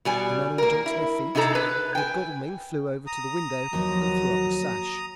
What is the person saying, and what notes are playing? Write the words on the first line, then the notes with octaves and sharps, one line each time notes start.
The men all jumped to their feet; Lord Godalming flew over to the window and threw up the sash.
B2 G3 G#5
A#3 A#4
E4
C3 D#4 G#4 A4 A#5
B4
G5 G#5
A#5 D#6
D#2 F3 F#3